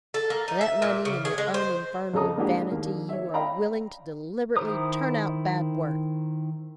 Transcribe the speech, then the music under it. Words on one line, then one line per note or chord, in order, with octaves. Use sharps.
For that money and your own infernal vanity you are willing to deliberately turn out bad work.
A4
A#3
D#4
E5
A#2
C#3
G#4
G#3
C5
F2 C#3 G#4 A4 A#5 D#6
G#3 A#3 D4 E4 G4 G#4
D#2 A#3
C#5 E5
D#5 F5 G5 A#5 B5
D#3 E4 C5 A#5 D#6